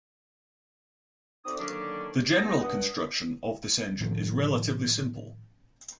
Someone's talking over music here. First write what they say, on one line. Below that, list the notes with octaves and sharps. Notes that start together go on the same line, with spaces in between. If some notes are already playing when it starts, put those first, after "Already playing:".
The general construction of this engine is relatively simple.
A3 C4 D#4 F#4 D5 D#6
D3 D#3 F#3 A#3 C#4 D4
E3 B3 D#4
G2 F#5 D#6
A2 D#3 F3 A3